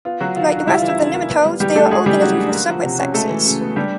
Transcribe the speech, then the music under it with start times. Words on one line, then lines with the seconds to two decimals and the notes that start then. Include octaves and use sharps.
Like the rest of the nematodes, they are organisms with separate sexes.
0.05 B3 F4
0.21 F#3 F#4
0.36 D#3 F4
0.51 D4
0.67 G3 E4
0.78 E3 F4
0.88 E4
0.98 C#3 F4
1.14 A#3
1.30 B3
1.45 G3
1.60 E3 G3 G4
1.75 A3 D4 A4
1.91 G#3 A3 G#4
2.06 E3 G3 G4
2.21 C#3 F#3 F#4
2.37 D4
2.52 A#3
2.69 F3
2.84 C3
2.99 C#4
3.14 G#3 A3 A4
3.30 E3
3.46 C#3
3.61 B3
3.76 G3 D4 G4